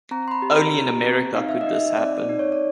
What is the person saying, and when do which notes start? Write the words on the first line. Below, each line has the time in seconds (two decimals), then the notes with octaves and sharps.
Only in America could this happen.
0.11 C4 A#5
0.28 C6
0.31 B5
0.42 G4
0.53 A#5
0.73 G4 A#5
1.04 C4
1.35 D#4 F5
1.49 E5
1.61 D#5
1.67 D#4
1.74 E5
1.97 C4 D5
2.18 D5
2.29 D#4
2.39 C#5
2.52 D5